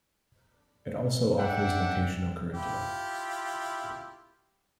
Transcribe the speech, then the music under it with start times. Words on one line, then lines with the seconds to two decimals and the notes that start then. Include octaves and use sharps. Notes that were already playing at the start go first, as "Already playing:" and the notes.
It also offers vocational curricula.
1.38 D4 E5 F#5 G5
2.54 E4 F4 G4